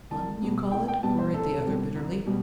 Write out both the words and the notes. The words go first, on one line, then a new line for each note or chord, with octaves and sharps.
"Fun, you call it?" queried the other bitterly.
C2 A5
B2 G3 B3
C2 G5
G5
B2 G3 B3 A5
C5
C2 A4
B2 G3 C4
C2
B2 G3